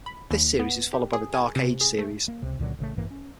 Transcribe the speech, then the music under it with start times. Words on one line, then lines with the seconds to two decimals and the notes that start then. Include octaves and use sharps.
This series is followed by "The Dark Age" series.
0.06 B5
0.31 D#2
0.59 B3
0.93 G4
1.13 G#4
1.34 G#5
1.56 C3
1.81 G#4
1.99 A3
2.28 A#3
2.42 C#2 C3
2.59 C#2 A#2 D3 F#3
2.79 A1 C#3 E3 A3
2.96 A1 G2 E3 A#3
3.11 C#4